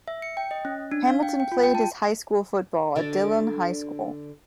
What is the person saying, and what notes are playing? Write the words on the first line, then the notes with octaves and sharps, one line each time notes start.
Hamilton played his high school football at Dillon High School.
E5
C#7
G5
D#5
C#4
D4
F5
G5
G5
F4
G5
A5
D3 D4 F#4